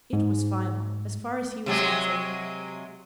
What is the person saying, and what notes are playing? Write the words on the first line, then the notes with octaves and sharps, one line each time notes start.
It was final, as far as he was concerned.
G#2
C3 F#3 G#3